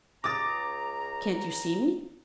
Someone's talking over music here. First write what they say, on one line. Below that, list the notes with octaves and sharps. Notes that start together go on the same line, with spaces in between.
"Can't you see me?"
C#2 A#5 D6 D#6 A6